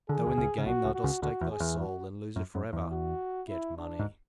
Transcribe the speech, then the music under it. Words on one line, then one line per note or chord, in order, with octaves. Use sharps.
Though in the game thou dost stake thy soul, and lose it forever--get money!
D3 G#4
E3
D2 D3
C#2 C#3
C#3
B1 B2 F#4
C#2 C#3
F#4
C#2 C#3
D2 D3 F#4
E2
G#4
E2
F#4
F#2
F#2
E2
F#4
E4
D4
G#2